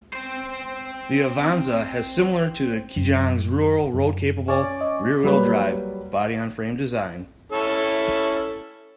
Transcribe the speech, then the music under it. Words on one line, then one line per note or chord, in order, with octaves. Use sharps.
The Avanza has similar to the Kijang's rural road-capable, rear-wheel drive, body-on-frame design.
C4 C5
F#2
F#2
C#4 D5
D#5
F#3 G3 A#3 B4
C#4 E4 A4